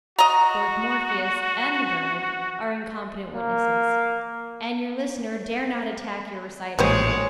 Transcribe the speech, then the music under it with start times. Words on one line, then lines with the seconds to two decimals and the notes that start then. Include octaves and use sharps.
Both Morpheus and the bird are incompetent witnesses; and your listener dare not attack your recital.
0.19 F#4 D#5 A#5
3.35 A#3
6.79 A1 A#2 G3 G#3 B3 C5 C#5